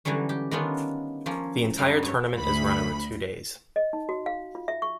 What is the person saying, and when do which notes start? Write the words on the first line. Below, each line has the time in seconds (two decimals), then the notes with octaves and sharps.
The entire tournament is run over two days.
0.05 D3 E3 F#3 G3 C#4
0.29 G4
0.51 D#3 A#3 B3 C#4 D4 F4
1.26 F3 A#3 C#4
1.77 F#2 G3 B3 D#4 F5 G5
2.03 G2 C#5
2.37 D2 B5
3.76 D#5
3.93 D#4
4.09 F#4
4.26 F5
4.55 F4
4.68 E5
4.82 C#6